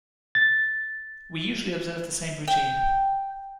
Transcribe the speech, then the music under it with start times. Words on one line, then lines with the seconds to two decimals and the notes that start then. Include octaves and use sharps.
We usually observe the same routine.
0.35 A6
2.48 G5